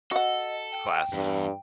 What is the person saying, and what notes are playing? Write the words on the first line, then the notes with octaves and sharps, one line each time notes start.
It's classic.
F#4 A4 D#5 F#5
G5
E2 G2